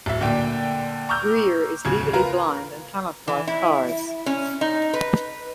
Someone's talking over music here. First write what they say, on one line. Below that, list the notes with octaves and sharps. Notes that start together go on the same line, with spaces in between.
Greer is legally blind and cannot drive cars.
D1 E5
A#2 D3 G5
A#5 C#6 D6 E6 F6 G6
D1 E2 C#3 G#6
F4 A#4 B4 A#5
E3
E4
C#4
D#4
B4